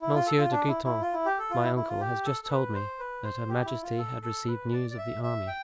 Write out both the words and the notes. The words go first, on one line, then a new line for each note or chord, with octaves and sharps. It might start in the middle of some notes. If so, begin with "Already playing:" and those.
"Monsieur de Guitant, my uncle, has just told me that her majesty had received news of the army."
E4
F4
A4
F4
D4
E4
E4
F4
E4
G4
A4
F4
E4
E4
F4
G4
A4
A4
B4
C5
B4
C5
G4
E4
F4
A4
A4
B4
D5
D5
E5
E5
G5